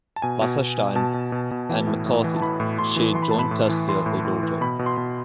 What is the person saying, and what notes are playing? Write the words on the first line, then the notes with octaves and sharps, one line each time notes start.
Wasserstein and McCarthy shared joint custody of their daughter.
A5
B2 G#5
B2
B2
B2
B2 A5
B2
B2
B2
E3
A2
A2
E3
A5
E3 B5
A2
A2 C6
E3
E3 C6
B5
A5
A2
B5
A2
E3
E3 C6
A2
A2
E3
B2 B5
B2
C6
B2